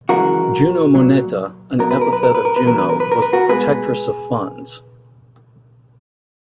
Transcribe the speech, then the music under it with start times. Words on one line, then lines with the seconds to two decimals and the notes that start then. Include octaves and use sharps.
Juno Moneta, an epithet of Juno, was the protectress of funds.
0.09 F#2 C#3 E3 G#3 F#4 A#4
0.95 A#2 F#3
1.79 B2 F#3 A#4
1.91 B4
2.01 A#4
2.13 B4
2.23 A#4
2.35 B4
2.45 A#4
2.56 B4
2.65 E2 B2 F#3 A#4
2.78 B4
2.89 A#4
3.00 B4
3.12 A#4
3.22 B4
3.33 F#4 A#4
3.49 B2 G#3 G#4 B4